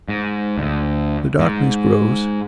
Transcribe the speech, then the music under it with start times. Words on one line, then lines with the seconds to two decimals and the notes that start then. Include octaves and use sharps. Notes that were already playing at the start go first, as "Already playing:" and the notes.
The darkness grows.
0.08 G#2
0.58 D2
1.39 G#2